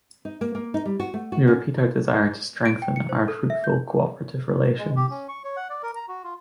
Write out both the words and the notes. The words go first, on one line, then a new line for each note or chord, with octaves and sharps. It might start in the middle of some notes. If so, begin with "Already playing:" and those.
We repeat our desire to strengthen our fruitful cooperative relations.
D#4
A#3
A#3
D#4
G3
F#4
A3
F#4
C#4
D7
G5
C#7
C5
A4
E5
G6
G#3
G4
C#4
C#6
C#5
F#5
D5
A#4
A#5
F#4
F4